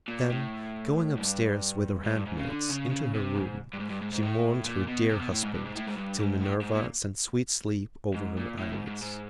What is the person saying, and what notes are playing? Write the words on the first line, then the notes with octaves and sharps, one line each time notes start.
Then going upstairs with her handmaids into her room, she mourned her dear husband till Minerva sent sweet sleep over her eyelids.
A#2
A2
G2
G#2
G2
G#2
C#3
D3
C#3
C#3
C3
G#2
G2
G#2
G2
G#2
G#2
A2
A#2
B2
C3
B2
A2
G#2
G2
G#2
A2
G#2
G2
G#2
A2
G#2
A#2
G#2
A#2
A2
G#2
G#2
G#2